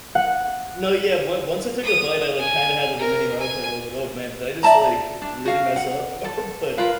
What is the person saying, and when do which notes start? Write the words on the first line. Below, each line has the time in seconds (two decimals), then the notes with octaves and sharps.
No, yeah, one once I took a bite, I like, kinda had, like, a mini heart attack. I was like, "Oh, man, did I just, like, really mess up? Or" but
0.15 F#5
1.83 D#6
2.39 G#5
2.99 A#4
3.39 G#5
4.63 D5 E5 A5 A#5
5.22 D4
5.45 F#4 F5
5.76 F#5
6.24 A4
6.77 F4 A#4 B4 F5